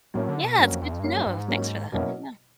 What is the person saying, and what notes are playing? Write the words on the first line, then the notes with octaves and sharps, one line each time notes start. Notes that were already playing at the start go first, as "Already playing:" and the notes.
Yeah. It's good to know. Thanks for that. Yeah.
A2 F#3 A#3 C#4
D3
B2
G2 F#3 A#3 C#4
F2
E2
F2
G2
F#2 F#3 A#3 C#4
G2
G2
G#2
F#3 A#3 C#4
F2 B2 F#3 A#3 C#4 E4